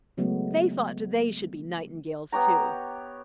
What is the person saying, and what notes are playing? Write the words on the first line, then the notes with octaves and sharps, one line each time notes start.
They thought they should be nightingales too.
C#3 F#3 G#3 A3 B3
B3 G4 C#5 A#5